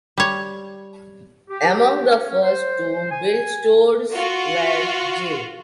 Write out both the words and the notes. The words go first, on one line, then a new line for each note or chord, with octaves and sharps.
Among the first to build stores were J.
G3 C#5
G4
C#4
C5
G#5
F4 F#4